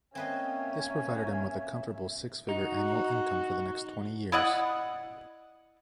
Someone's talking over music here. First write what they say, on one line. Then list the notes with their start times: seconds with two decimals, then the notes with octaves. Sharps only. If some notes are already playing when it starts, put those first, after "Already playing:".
This provided him with a comfortable six-figure annual income for the next twenty years.
0.15 A#3 C4 C#4 B4 D#5 E5 G#5
2.49 D#4 F#4
4.32 E4 D5 D#5 F#5